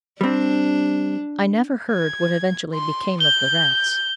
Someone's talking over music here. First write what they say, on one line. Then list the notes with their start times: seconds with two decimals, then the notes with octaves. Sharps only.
I never heard what eventually became of the rats.
0.21 G3 C4 D4
1.92 G#6
2.74 C6
3.20 G6 G7